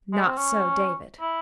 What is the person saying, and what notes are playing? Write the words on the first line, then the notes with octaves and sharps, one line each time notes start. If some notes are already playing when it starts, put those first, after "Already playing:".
Not so David.
G#3
C4
C#4
E4